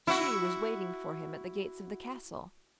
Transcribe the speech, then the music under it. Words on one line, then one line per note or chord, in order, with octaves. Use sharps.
She was waiting for him at the gates of the castle.
E4 F#4